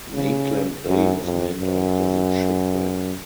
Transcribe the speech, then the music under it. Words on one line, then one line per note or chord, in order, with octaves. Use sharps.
Maitland Bay was named after the shipwreck.
C#3
F#2
F2
F#2